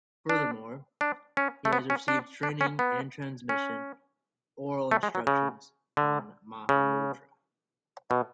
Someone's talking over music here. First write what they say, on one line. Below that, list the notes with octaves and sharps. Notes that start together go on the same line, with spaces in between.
Furthermore, he has received training and transmission, oral instructions on Mahamudra.
D4
D4
C#4
A3
B3
C#4
D4
D4
C#4
B3
C#4
A3
G#3
F#3
C#3
D3
C#3
B2